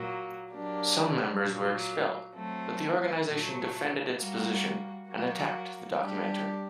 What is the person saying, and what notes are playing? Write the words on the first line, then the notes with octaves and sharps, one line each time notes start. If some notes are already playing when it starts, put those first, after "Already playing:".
Some members were expelled, but the organisation defended its position and attacked the documentary.
Already playing: A#2 F#3 A#3 F#4
F#3 A#3 D4 G4
A#2 F#3 A#3
F#3 A3 C4
A#2 F#3 A3
G3 A#3 F#4
F#3 A#3 F#4
G3 D4 G4